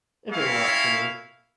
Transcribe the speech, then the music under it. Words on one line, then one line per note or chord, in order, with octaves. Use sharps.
If it were up to me.
C4 C#4 E4 C#5 E5 F5